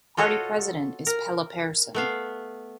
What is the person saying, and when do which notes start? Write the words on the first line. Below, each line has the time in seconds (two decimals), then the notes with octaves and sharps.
Party president is Pelle Persson.
0.17 F4 F#4 A4 C#5 D#5
1.07 A#4
1.95 A3 B3 F5